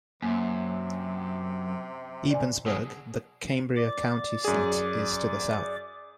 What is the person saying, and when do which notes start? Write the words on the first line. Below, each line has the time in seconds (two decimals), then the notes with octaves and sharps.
Ebensburg, the Cambria County seat, is to the south.
0.22 F#2 C3 A#3
2.31 D5 G#5
2.66 B2 F#3 G#4
3.76 D5 D6
4.45 F#2 G#4